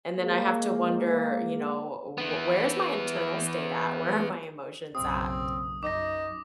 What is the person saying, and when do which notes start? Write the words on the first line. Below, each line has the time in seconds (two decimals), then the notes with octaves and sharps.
and then I have to wonder, you know, uh, "Wh where's my internal state at? Where are my emotions at?"
0.16 G#3 A#3
2.18 E3 B3
4.95 F#1 B1 C4 D#6
5.83 F#2 D#4 D6 A#6